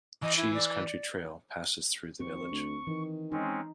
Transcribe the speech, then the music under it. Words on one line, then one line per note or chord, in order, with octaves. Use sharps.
The Cheese Country Trail passes through the village.
E3 D#5
E4
D5
F2 C4 C#6
D2
D#3 E3
G#3 C4 C#4 D#4